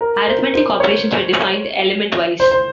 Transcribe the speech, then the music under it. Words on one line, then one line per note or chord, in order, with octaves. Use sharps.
Arithmetic operations were defined elementwise.
A#4
C5
C5
C#5
C5
C5